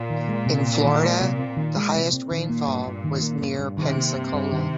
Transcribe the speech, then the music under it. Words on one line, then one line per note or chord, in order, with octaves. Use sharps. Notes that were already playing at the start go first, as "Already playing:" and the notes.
In Florida, the highest rainfall was near Pensacola.
Already playing: A#2
D#3
G#3
C3
C4
D#3
G#3
C3
C4
D#3
G#3
C3
C4
A#2 D#3
A#3
G2
G2
D#3
A#3
G2
G2
C3 D#3
A#3
G2
G2
D#3